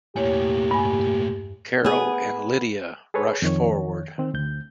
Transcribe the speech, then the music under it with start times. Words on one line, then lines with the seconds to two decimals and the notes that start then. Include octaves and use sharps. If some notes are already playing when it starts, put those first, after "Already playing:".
Carol and Lydia rush forward.
0.16 E2 A2 A#3 G4 C#5
0.71 G2 G#5
1.85 B3 G#4
3.14 G#4 A4 B4 C#5
3.42 F2 D#3 C#5
4.18 D#3 C4
4.34 D2 G6